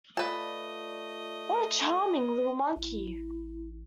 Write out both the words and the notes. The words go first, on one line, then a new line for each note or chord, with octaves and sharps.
What a charming little monkey!
A3 F4 B4 D5 D#5 A5
A1 E4